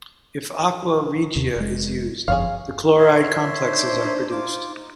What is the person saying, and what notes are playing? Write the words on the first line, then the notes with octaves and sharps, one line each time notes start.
If "aqua regia" is used, the chloride complexes are produced.
D#2 C3 D#3
F1 G#3
G1 F2 G#4 C#5 F5
C#5 E5 C6
D4 D#4 C5
D#4 F4 D6